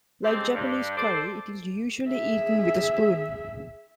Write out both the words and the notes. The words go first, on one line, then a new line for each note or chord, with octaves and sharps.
Like Japanese curry, it is usually eaten with a spoon.
C#3 G#3 C4 G4 A4 C5
G2
A4 C5 D5
G#4 E5